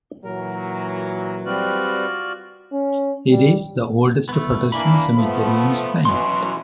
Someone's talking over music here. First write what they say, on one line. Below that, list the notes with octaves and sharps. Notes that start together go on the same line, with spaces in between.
It is the oldest Protestant cemetery in Spain.
A#2 E3 F#3 A#4
G3 C4 F4 F#4 B4 D5
C#4
G3
A3 B3
E3 A#3 D4 B5
F3 A3 B3
B2 E3 F#3 C#4 C6